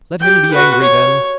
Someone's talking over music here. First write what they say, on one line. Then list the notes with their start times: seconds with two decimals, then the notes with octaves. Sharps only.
Let him be angry then.
0.20 G4 G5
0.51 F#4 B4
0.81 C#5